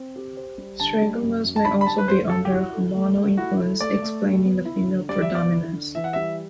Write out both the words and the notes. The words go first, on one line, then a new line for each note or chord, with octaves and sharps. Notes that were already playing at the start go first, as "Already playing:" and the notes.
Syringomas may also be under hormonal influence explaining the female predominance.
Already playing: C4
G4
C5
G3
D3 A5
G3
F#2
F#2
A5
D3 B5
B5
G3 A5
B4
F#2 C5
F#2 A4
G4
E4 F#4
A4
A3
A3
E4 F#4
A4
A3 D5
A3
G3
B3
E4
D3
G3 D5
E5
B3 D5
E4
D3
E3 E5
F#5
G3 E5